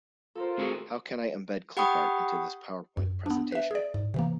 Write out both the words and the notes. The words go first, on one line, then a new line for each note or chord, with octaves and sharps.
How can I embed clip art into this powerpoint presentation?
F4 A4 A#4 C5
C4 E4 F#4 G#4
G4 F#5 G5 B5 C#6 D#6
F#2
B3 D4
B4 E5
G#4 D5
G#2
C3 E3 A#3